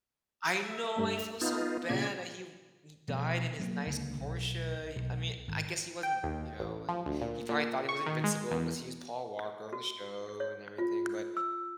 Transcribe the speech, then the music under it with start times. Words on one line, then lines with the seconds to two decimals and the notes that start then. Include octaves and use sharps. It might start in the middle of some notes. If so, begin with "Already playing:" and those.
I know, I feel so bad that he v He died in his nice Porsche, he I mean, I guess he wasn't you know, and he probably thought he was invincible 'cause he was Paul Walker on the show and everything, but
0.64 E5
0.96 G2 A3
1.18 F7
1.41 B3 D#4 F4
1.89 A#2 C#3 D5 G#6
3.08 B2 F3
3.59 F#3 A3 A#3
3.86 C#2 D3 F3 A#3
4.20 B1
4.96 B1
5.48 G#1
6.03 G5
6.23 D#2
6.60 A1
6.89 F3
7.06 D2
7.21 A#2
7.49 A#2
7.89 C#6
8.06 D#3
8.24 G#3
8.51 E2
9.73 F#4
10.40 C#5
10.78 F4
11.37 E6